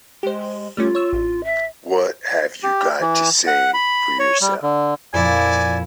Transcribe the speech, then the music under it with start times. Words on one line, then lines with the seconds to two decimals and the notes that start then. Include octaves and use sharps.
What have you got to say for yourself?
0.23 G#3 G4 C5
0.77 G3 A3 C#4 F4
0.95 C#5 E6
1.13 A1
1.44 E5
2.63 G4
3.01 E3
3.47 F#5
3.74 B5
4.19 C#5
4.41 G3
4.63 D3
5.14 F2 A#2 F3 E4 D5 G#5